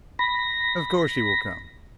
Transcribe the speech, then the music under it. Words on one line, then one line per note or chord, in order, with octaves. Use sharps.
"Of course he will come."
B5 A#6